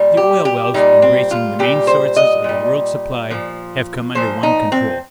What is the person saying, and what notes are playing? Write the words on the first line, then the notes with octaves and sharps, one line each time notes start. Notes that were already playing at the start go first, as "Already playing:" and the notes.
The oil-wells embracing the main sources of the world's supply have come under one control.
Already playing: A#2 G3
G4
G4
A#2 G3 D#4
C4
F4
A#2 G3 G4
C5
D#5
A#2 G3
A#2 F3
A#2 F3 C5
D#4
C4